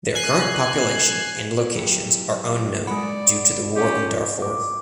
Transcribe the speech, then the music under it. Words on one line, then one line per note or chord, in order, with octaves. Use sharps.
Their current population and locations are unknown due to the war in Darfur.
G#5 F#6 C7
F#3 E4 G4
G#3 D5 F#5 B5
C#4 F4 G4
D6